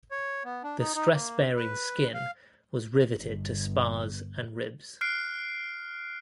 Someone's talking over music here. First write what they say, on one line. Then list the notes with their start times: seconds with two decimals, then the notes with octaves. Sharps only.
The stress bearing skin was riveted to spars and ribs.
0.11 C#5
0.45 B3
0.64 D4
0.79 D#4
0.95 D#4
1.13 A#3
1.56 B4
2.14 F5
3.17 G1
5.01 F6 F#6 C7 D7